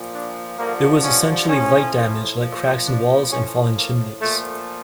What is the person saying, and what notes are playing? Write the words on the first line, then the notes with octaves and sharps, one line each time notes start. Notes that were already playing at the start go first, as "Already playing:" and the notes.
It was essentially light damage like cracks in walls and fallen chimneys.
Already playing: A#2 F3
D4
G2 D3 F3 A#3
C#4
A2 F3 C#4
A#2 F3
D4
A2 F3 C#4
A#3
A#2 F3 A3